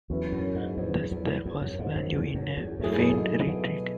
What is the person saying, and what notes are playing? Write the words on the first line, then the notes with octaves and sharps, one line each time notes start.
Thus there was value in a "feigned" retreat.
E2 F#3 C#4 E4 B4
F#2
G#2
E2
E2
E2
F#2
G#2
F#2
E2
F#2
E2
F#2 F#3 A3 E4 G#4
G#2
B2